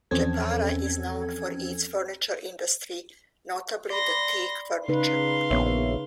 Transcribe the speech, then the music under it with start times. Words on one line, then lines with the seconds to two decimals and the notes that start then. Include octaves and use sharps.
Jepara is known for its furniture industry, notably the teak furniture.
0.11 E2 F3 C4 C#4 A4 G#6
3.90 D5 B5 C6 A#6
4.88 C#3 D#4 B4 F5 C6
5.50 A#1 B3 C#5 E5